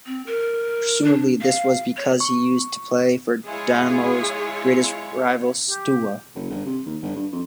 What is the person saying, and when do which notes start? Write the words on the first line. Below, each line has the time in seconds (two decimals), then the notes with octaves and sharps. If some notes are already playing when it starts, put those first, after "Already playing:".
Presumably, this was because he used to play for Dinamo's greatest rivals, Steaua.
0.06 C4
0.26 A#4
1.04 D4
1.41 F5
1.97 C#5
2.20 C#6
3.46 G#3 E4 F4 G#4 C#5
5.70 G4
6.35 F#1
6.50 G1
6.66 C3
6.86 D#2
7.02 G1
7.15 G2
7.32 F2